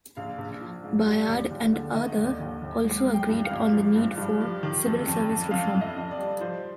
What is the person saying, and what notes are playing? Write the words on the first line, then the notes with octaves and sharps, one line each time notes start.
Bayard and Arthur also agreed on the need for civil service reform.
A#1 F5
A#1
F3
G#2
G3
D#2
D#2
D3
D#3 D#5
D#2
D#2
D#2
G#3
G#3
G5
G2
F5
G#1
F3
G2
G2
F3
D#3
F2
F2
F2
F2 F5
F2
D#5
F2
D5
G3
F3 C5